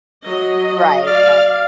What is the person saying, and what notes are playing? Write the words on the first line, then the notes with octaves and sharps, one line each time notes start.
Right, right.
F#3 D#5
D5 F5 F6